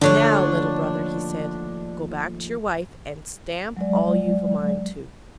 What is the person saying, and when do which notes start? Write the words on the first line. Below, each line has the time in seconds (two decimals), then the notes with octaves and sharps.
'Now, little brother,' he said, 'go back to your wife and stamp all you've a mind to.'
0.01 D#2 D3 F3 A3 D4 C#5
3.77 F#3 G#3 D5